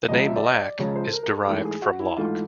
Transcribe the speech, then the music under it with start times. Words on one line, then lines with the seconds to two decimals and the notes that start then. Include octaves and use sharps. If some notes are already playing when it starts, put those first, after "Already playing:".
The name 'Lack' is derived from 'Lock'.
0.08 C#2 C#3 F3 G#3 D#5
0.26 E5
0.36 D5
0.44 D#5
0.61 D5
0.78 C#2 C#3 F3 G#3 C#5
0.96 C5
1.07 A4
1.13 A#4
1.23 A#4
1.30 A4
1.47 G#2 E3 A3 G#4
1.65 G#4
1.82 F#4
2.00 E4
2.17 G#2 E3 A3 F4